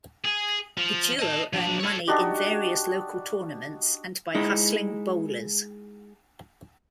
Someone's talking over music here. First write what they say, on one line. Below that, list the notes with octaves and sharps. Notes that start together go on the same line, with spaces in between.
The duo earn money in various local tournaments and by hustling bowlers.
G#4
F3
D#5 A5
F3 D4
A4 C#5
D4 D#4 F#4 G4
G#3 D#4 E4